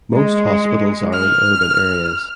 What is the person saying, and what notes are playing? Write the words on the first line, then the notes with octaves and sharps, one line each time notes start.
Most hospitals are in urban areas.
G#3
F6